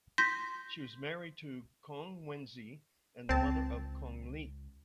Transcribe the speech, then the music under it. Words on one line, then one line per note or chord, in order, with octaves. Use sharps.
She was married to Kong Wenzi and the mother of Kong Li.
C6 G6 A#6 B6
C#2 C4 A5